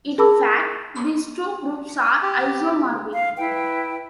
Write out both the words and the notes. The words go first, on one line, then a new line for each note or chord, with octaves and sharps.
In fact, these two groups are isomorphic.
G#4 A#4 A5 B5 D6 E6
G4
F5
E4 B4 G5